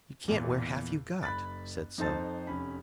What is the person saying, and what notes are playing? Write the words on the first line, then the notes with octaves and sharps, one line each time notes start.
"You can't wear half you've got," said some.
E2 A#2
F#1 B5 F#6 A6
F2 D#4 A4 C5 A5 A6
F1 C#4 B5